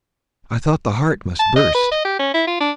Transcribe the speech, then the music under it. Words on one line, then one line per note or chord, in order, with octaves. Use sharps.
I thought the heart must burst.
A5
D#5
B4
D#5
G4
C#4
E4
F4
D4